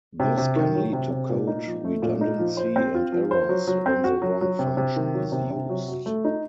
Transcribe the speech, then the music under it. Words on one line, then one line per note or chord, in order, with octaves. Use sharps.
This can lead to code redundancy and errors when the wrong function is used.
C3
C3
D#3
F#3
C3
C3
A#2
D#4
F3
A3
A#2
D#4
F3
C5
C4
F4
F3
C5
F#3
F#3
C4
F#4
F#3
F#3
C3
C3
D#3
F#3
C3
C3
F#3
F#4
A3
D#4